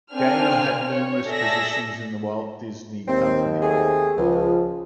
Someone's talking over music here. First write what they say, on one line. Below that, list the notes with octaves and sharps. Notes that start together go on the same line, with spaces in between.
Daniel has had numerous positions in the Walt Disney Company.
A#3 C4 D4 G#5 F6
C#5
G#4 A4 D5 E5 E6 A#6
D#2 C4
A3 C4 G#4
C#2 F3